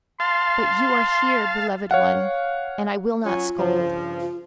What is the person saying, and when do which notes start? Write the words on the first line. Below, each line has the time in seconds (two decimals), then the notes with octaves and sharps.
But you are here, beloved one, and I will not scold.
0.20 F5 A5 C6
1.91 C#5 F5 F#5
3.24 F#3 C#4 F4
3.58 G2 C#3 F3
4.21 F4